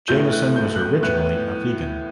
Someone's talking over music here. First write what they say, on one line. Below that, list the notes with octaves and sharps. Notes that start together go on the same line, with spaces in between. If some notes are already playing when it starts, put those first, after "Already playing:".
Jamieson was originally a vegan.
B1 A2 E3 A3 G6
F#6
G6
F#6
G6
A2 E3 B3 F#6